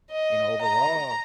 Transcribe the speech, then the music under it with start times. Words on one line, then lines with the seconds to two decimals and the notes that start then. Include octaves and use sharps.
you know, overall
0.11 D#5
0.61 A#5